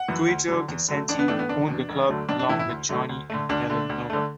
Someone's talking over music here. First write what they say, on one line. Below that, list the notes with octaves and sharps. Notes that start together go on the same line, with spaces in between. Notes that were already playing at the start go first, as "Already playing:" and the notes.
Guido Caccienti owned the club along with Johnny and Helen Noga.
Already playing: F#5
F#2 E3
D2
D3 F#3
E2
D3 F#3 A3
A1 D4
B3
A2 E3 A3 D4
B3
F#1 D4
E2 B2
E1
D2 D3 F#3 A3
B1 D4
D4
A2 E3 A3 E4
E4
D2
D3 F#3 A3
D2
D3 A3
D2 D4
D3 A3
D2
D3 A3